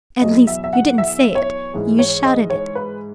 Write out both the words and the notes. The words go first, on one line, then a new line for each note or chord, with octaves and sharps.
"At least--you didn't say it--you shouted it!"
E2 B2 F#3 D#5
E5
E5
F#5
E5
C#5
G#2 E3 G#3
C#5
D#5
C#5
B4